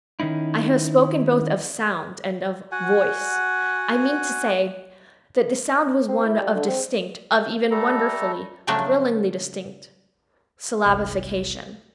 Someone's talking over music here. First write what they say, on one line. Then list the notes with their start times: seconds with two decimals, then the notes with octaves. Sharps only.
I have spoken both of "sound" and of "voice." I mean to say that the sound was one of distinct--of even wonderfully, thrillingly distinct--syllabification.
0.20 D#3 C#4 D#4 E4
2.72 F#4 F#5 G#5
6.08 C4
6.25 E4
6.41 G3
6.55 D3
6.68 C4
7.71 G3 A3 A4 A#5
8.67 C#3 F3 F#3 A3 D4
10.86 G1 C2